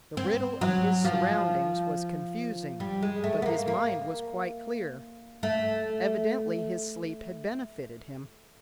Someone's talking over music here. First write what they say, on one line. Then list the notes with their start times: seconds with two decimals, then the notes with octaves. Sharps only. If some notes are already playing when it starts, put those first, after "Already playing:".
The riddle of his surroundings was confusing but his mind was quite clear--evidently his sleep had benefited him.
0.17 C4
0.61 F#3
1.05 F3
2.80 G3
3.02 G#3
3.24 A3
3.42 B3
3.46 A#3
3.68 A#3
5.43 A3